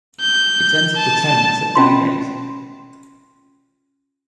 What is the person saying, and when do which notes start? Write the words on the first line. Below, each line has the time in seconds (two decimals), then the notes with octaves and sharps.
It entered the Thames at Dowgate.
0.20 G6
0.96 A5
1.75 C#4 F4 C6